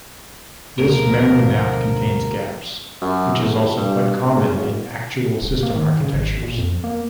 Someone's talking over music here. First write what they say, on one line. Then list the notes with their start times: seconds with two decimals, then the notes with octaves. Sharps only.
This memory map contains gaps, which is also quite common in actual system architectures.
0.79 D2 B2 F3 A3 A#4
3.01 F#2
3.39 E2
3.52 D#1
3.76 G2
4.23 D2
4.37 C#3
4.54 E1
5.42 D#1
5.63 A#3
5.75 D#3
6.00 C#3
6.13 G#1
6.43 A#2
6.58 F2
6.84 A#3